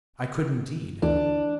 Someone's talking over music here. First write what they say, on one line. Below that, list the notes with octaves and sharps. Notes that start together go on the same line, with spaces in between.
I could, indeed.
D2 E3 D4